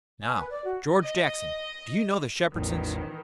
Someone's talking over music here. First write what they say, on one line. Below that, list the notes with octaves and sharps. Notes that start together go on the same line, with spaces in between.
"Now, George Jackson, do you know the Shepherdsons?"
G#5
B4
D5
F#4
D#5
A1 E2 A2 D#3 E3